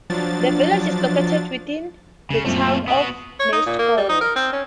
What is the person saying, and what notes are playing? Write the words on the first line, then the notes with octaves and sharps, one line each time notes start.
The village is located within the Town of Neshkoro.
F3 F#3 D4 A6
F1 C#3 E7
F#2 A#2 A3 C4 F4
B3 F#4 D#6 D7
C#5
D#4
A#2
A#3
G3
D#4
A#4
C4
C#4